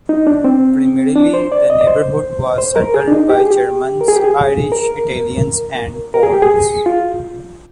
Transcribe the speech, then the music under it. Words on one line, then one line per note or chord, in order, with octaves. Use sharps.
Primarily, the neighborhood was settled by Germans, Irish, Italians and Poles.
D#4
D4
C4
D4
C5
D5
D#5
D5
C5
C5
A#4
G#4
D4
D#4
G4
G#4
G4
A#4
G#4
G4
G#4
A#4
A#4
G#4
G4
G#4
F4